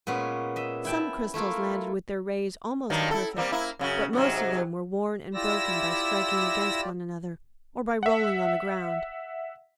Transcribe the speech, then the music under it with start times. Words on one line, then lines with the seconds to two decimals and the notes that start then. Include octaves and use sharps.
Some crystals landed with their rays almost perfect, but most of them were worn and broken by striking against one another, or by rolling on the ground.
0.07 A#2 G#3 B3 C#4
0.56 D#5 E5
0.85 E4 G5 A5
1.34 A3 E4 F4 A#4
2.90 G2 D#3 F#3
3.11 E4 A4
3.36 G3 A#3 C4
3.52 A#3 E4
3.79 F#2 C#3 F#4
4.13 G#2 C3 F#3
5.34 E4 F4 G4 D5 E6 A#6
8.03 E5 F#5